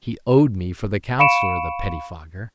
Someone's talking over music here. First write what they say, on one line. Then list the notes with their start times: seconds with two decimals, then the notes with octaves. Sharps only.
"He owed me for the councillor, the pettifogger!"
1.19 F5 B5 C#6 C#7 D7 E7